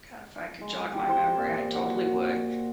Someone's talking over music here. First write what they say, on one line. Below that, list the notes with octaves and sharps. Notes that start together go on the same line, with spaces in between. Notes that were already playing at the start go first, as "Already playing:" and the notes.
god, if I could jog my memory, I totally would.
G#3
G4
C5
A#2
F#4